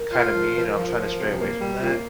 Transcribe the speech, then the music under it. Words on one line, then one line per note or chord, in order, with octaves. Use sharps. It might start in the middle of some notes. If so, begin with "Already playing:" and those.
kinda mean, and I'm trying to stray away from that.
Already playing: A#4
F4
F3
F3
F3
F3
C3
A#3
G3
A#3 F4